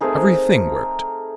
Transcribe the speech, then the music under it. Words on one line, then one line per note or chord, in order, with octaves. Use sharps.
Everything worked.
A3 C4 D#4 G#4 A#4